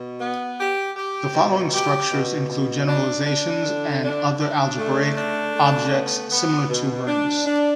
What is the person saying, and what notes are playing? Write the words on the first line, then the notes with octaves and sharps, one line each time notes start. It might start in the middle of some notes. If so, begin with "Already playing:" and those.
The following structures include generalizations and other algebraic objects similar to rings.
Already playing: B2
B3
G4
G4
B2
G4
B2
B2
D4
D4
D3
D4
D4
A3
D4
A3
B3
B3
B2
D4
D4